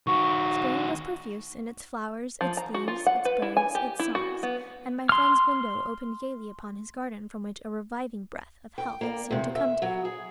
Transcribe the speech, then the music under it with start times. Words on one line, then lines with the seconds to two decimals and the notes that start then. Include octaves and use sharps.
Spring was profuse in its flowers, its leaves, its birds, its songs; and my friend's window opened gaily upon his garden, from which a reviving breath of health seemed to come to him.
0.07 D#3 F#4 C#6
2.41 F3
2.57 A#5
2.74 F#4
2.88 F4
3.06 F#5
3.25 B4
3.42 E4
3.57 G#5
3.75 G4
3.99 E4
4.15 F#4
4.43 B3
5.09 C6 F6
8.78 G5
9.01 A#3 D5
9.31 E2 C3
9.56 E5
9.82 F#3
10.05 G#4